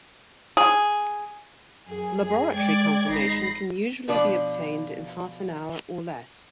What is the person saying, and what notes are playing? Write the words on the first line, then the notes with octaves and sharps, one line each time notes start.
Laboratory confirmation can usually be obtained in half an hour or less.
G#4
F#2 G#4
G#3 D5 G5 G#6
G#1 G#3 D#4 B5 A#6 C7
B2 F3 D4 B4 D5